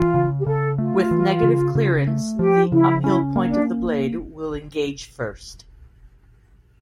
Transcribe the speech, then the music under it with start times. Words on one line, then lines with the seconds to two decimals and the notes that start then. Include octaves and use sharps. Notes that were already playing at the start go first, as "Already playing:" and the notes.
With negative clearance the uphill point of the blade will engage first.
Already playing: E3 F4
0.14 C#3
0.40 G4
0.46 C#3 A4
0.78 A3 F4
1.11 E3
1.43 C#3
1.75 C#3
2.07 A3
2.39 F3 G4
2.72 C#3 E4
3.04 C#4 E4
3.36 A#3
3.47 D4